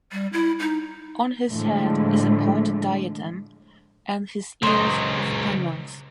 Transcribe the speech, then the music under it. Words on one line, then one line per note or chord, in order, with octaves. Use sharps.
On his head is a pointed diadem, and his ears have pendants.
G3
E4
D#4
A2 D3 F3 G#3 A3
C#2 F#3 C5 D#5